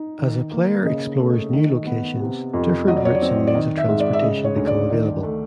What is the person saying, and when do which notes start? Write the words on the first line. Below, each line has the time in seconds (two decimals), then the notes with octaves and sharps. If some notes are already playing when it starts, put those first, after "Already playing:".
As a player explores new locations, different routes and means of transportation become available.
Already playing: D#4
0.19 D#3
0.52 A#3
0.85 C#3 D#5
1.20 A3
1.53 D#3
1.86 B3
2.20 C3
2.53 F2
2.88 F#3 D#5
2.96 D5
3.05 C#5
3.15 D5
3.22 C4
3.47 D5
3.55 D#3 D#5
3.77 E5
3.88 G#2
4.00 D5
4.13 E5
4.22 C#3 D#5
4.44 C#5
4.56 D2
4.67 D5
4.89 D#3 D5
5.23 A3